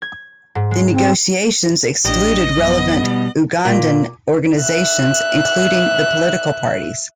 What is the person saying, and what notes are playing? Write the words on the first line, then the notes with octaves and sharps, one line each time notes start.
The negotiations excluded relevant Ugandan organisations, including the political parties.
G#6
G#2
G#3
C4
A1 D4 G4 D#5
F#2 B3
B2 G3
A#2
E5 F#6